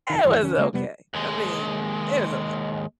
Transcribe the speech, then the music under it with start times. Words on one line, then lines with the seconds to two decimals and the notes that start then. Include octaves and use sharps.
It was okay, I mean, it was okay,
0.10 F1 D#3
0.24 D2 G2 D#3 E3
0.41 F1 D#3 C4 C#4
0.57 C#3 G#3 A#3
0.73 F1 C3 G3 B3
1.14 D#2 G#3